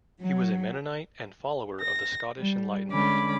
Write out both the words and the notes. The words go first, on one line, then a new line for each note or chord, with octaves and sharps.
He was a Mennonite and follower of the Scottish Enlightenment.
F#3
A#6
G3
D3 G#3 C#4 B5 D6